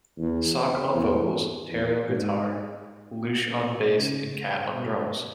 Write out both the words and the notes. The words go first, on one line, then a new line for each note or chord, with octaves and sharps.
Sok on vocals, Terrie on guitar, Luc on bass and Kat on drums.
E2
E2
E2
G#2
B2
B2
C#3
B2